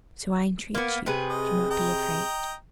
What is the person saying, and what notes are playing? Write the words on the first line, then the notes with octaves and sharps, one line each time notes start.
So I entreat you do not be afraid.
A#3 B3
C3 G#4 B4
D#5
D#5 G5 A#5